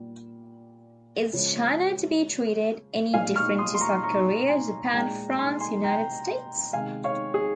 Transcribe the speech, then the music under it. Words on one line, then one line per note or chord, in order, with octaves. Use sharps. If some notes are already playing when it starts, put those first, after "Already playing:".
Is China to be treated any different to South Korea, Japan, France, United States?
Already playing: A#2 G3
C#3 F3 G#3
A#2 F3 G#3 F5 G#5
C#6 F6
C6 D#6
C6
A#5 C#6
A#5 C#6
G#5 C6
A#2 G#3 G5 A#5
G#5 C6
G#5 C6
G5 A#5
C3 D#3 G#3 F5 G#5
C#5 F5
G#4